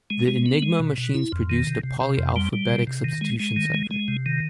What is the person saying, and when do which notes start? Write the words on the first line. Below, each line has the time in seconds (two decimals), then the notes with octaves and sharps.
The Enigma machines produced a polyalphabetic substitution cipher.
0.10 G#3
0.28 G#3
0.46 B3
0.62 G#3
0.79 B2
0.98 B2
1.14 E4
1.32 F2
1.50 D#3
1.67 C3
1.83 C3
2.01 C3
2.18 F2
2.36 G3
2.53 G3
2.70 C3
2.87 C3
3.04 D#3
3.21 G#3
3.40 G#3
3.57 D#3
3.74 G#3
3.91 G#3
4.08 C3
4.26 D#3